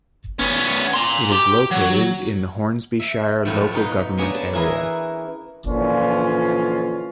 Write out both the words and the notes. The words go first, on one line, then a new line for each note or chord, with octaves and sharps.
It is located in the Hornsby Shire local government area.
B3 C#4
A#5 C6
G4
F#3
E5
F#2 A2 F3
B2 D#4 B5
A#3 B3 C#4 D4 G#4
A5
E3 E4 G#4 A#4 B4
A#2 D3 E3 F3 C#4 F4